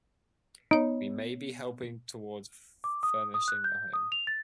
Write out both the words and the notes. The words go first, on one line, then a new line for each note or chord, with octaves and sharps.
We may be helping toward furnishing the home.
B3 D#4 C#5
D6
D#6
D#6
F#6
G6
D#6
F7
A6